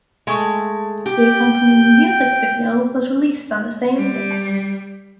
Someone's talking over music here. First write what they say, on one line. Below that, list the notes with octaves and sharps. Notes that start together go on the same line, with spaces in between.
The accompanying music video was released on the same day.
G#3 A3
G4 G5
G3